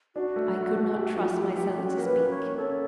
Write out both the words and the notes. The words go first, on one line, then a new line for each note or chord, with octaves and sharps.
I could not trust myself to speak.
D4 F#4
A3
A3
A3
G4
F3
G4
G4
C#4 F#4 A4
A#3
B4
C#4
C#5
A#3
C#4 A4